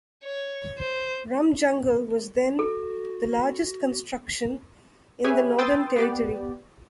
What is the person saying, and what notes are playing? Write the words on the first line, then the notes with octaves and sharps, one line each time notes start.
Rum Jungle was then the largest construction in the Northern Territory.
C#5
C5
F#4 A4
G4 G#4 B4 C#5 E5 G#5
B4 G5 C6 D#6 E6 A6
B3 G4 D5